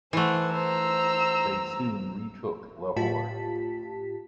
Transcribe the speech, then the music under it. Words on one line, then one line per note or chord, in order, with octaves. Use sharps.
They soon retook Lahore.
E3 A3 C5 F#5
C5 A#5 E6
A2 F4 G4 A5 B6